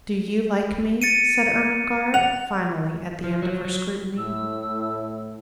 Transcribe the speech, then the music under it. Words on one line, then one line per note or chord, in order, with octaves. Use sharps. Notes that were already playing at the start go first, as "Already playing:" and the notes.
"Do you like me?" said Ermengarde, finally, at the end of her scrutiny.
A6 C#7 D#7
F#5 F7
F3
F#3
F#3
A2 E6